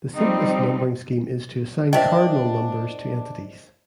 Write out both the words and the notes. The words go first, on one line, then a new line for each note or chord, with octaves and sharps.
The simplest numbering scheme is to assign cardinal numbers to entities.
F3 G3 C4 D#4
D4 A#4 C5 D#5 E5 G5 A5